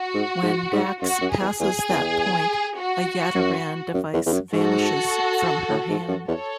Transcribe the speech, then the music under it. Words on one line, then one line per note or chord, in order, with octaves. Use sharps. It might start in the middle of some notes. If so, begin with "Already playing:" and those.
When Dax passes that point, a Yaderan device vanishes from her hand.
Already playing: F#4
G#2
G#2
G#2
F#2 F#4
F#2
G#4
E2
E2 G#4
E2
F#4
F#2
F#2
E2
E2
F#2
G#2 F#4 A4
A2
G#2
F#2
E2 A4 C#5